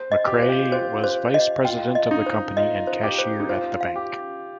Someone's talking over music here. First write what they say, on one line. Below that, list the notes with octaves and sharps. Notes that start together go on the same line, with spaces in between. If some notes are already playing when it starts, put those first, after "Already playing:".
McCrea was vice-president of the company and cashier at the bank.
Already playing: C5
D#5
G4
F4 C5
G4
F4 C5
C5
D#5
F4 G5
D#5
D#4
C5
F4 D#5
C5
G4
C5
D#4
F4 C5
F5
G4